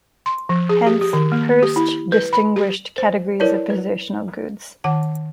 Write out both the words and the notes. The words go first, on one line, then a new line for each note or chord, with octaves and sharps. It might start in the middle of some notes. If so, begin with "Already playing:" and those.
Hence, Hirsch distinguished categories of positional goods.
C6
F3
G#4
G4
G4
D#3
A#3
G4
E4
B4
B5
G4
C5
E4 A#4 B4 C#5 D5 A5
B4
D#3 F#5 A5